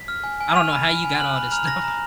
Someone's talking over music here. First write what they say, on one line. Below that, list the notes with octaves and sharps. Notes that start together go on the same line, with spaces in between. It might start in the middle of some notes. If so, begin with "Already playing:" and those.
I don't know how you got all this stuff
Already playing: B6
F6
G#5
G#5
D#7
F6 F7
B5
G#5
G#5
F6 F#6 F#7
B5
A#5 F6 F7
F6 A#6
A#5